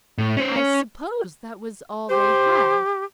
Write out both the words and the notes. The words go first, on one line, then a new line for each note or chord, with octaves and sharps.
"I suppose that was all they had."
A2
C#4 C5
C#4
G4 C5